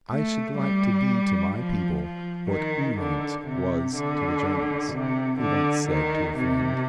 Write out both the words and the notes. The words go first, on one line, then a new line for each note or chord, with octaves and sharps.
"I should like to be to my people what Uhland was to the Germans," he once said to a friend.
A3
G3
F3
F3
D#3
D3
C3
D3
C3
D3
D#3
C3